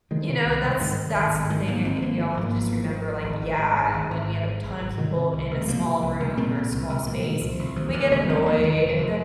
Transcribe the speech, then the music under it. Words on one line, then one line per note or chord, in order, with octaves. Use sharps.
you know, that's that's the thing I think we all have to just remember, like, yeah, when we have a ton of people in a small room or a small space, we get annoyed and
C3 D#3 G#3
C3
C2
C2
G#2 D#3 G#3
G#2
G#1
G#1
G#2 D#3 G#3
G#2 F3 A#3
G#1 G#3 C4
G#1 F3 A#3
G#2 F3
G#2
F3 A#3
G#1
F3 A#3
G#1
G#3
G#2 F3
G#2
G#1
G#1
G#2
G#2
G#1
G#1
G#2
G#2
G#1
G#1
C3 D#3 G#3
C3
C2
C2
G#3
C3 F3 A#3
C3
C2
C2
A#2 G#3 C4
A#2
C2
C2
A#2 F3 A#3
A#2 D#3 G#3
G#3
C2 F3
C2
D#2 F3
D#2 D#3
F1 D#3 G#3
F1 G#3 C4
D#2 F3 A#3
D#2 D#3 G#3
F1 F3
D#3
F1 F3